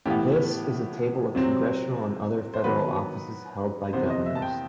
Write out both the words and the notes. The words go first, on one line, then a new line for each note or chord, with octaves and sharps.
This is a table of congressional and other federal offices held by governors.
A2 E3 B3 G4
C3 F#3 C4
C5
D#3 F#3 B3 B4
C3 E3 B3 C5
D#5
E5
A5
G5